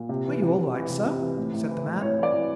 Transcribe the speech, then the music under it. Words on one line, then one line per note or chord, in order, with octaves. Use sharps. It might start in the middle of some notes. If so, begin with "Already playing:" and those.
"Are you all right, sir?" said the man.
Already playing: A#2
C3
E3
C3
C3
E3
C3
C3
E3
A2
A2
E3
A2
A2 C#5
E3
D5
E3